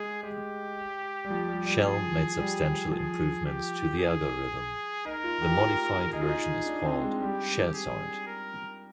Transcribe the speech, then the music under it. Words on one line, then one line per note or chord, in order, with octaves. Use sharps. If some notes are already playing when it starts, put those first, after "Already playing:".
Shell made substantial improvements to the algorithm; the modified version is called Shell sort.
Already playing: G#3 G#4
G#3 G4
G3
F3
G3
G3
F3 G#4
G3
F3 G#4
G4
G#4
D#4 A#4
F4
G4
F4
D#4 G#4
F4
D#4
D4
C4
G#3
G3 G4
G#4
A#4